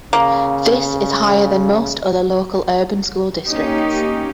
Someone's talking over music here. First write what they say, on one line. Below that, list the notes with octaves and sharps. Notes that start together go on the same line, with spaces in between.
This is higher than most other local urban school districts.
C#3 A#3
A#3 C#4 D#4 G4